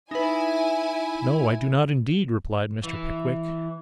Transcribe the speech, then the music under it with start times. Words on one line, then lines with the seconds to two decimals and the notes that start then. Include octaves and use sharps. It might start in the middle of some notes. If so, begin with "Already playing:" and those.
'No, I do not indeed,' replied Mr. Pickwick.
0.11 D#4 E4 B4 G#5
2.84 E3